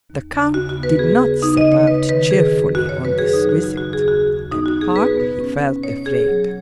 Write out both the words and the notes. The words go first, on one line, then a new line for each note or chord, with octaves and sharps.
The count did not set out cheerfully on this visit, at heart he felt afraid.
D#2
C#3
D#2 F#4
F#4
B3
B4
B3 G#4
C#3
C#3 D#4
D#5
C#3
C#5
G#3 B4
D#3 B4
D#3 G#4
F#2
F#2 F#4
C#5
F#3
B4
F#3 G#4
D#4
F#3
F#4
C#3 F#4
F#4
D#2
G#4
D#2 F#4
D#2
B3 D#4
F#4
B3
G#4
B3 B4
B2
C#4
B2
B2 C#5
B2 G#4
F#3